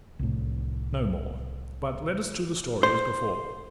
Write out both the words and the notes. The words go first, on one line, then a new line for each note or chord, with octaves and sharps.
No more; But let us to the story as before.
C2 A2
C5